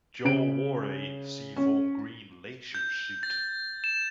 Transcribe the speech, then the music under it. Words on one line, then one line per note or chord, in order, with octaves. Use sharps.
Joe wore "a seafoam green leisure suit".
C#3 D7
C#4
G6
A6
E7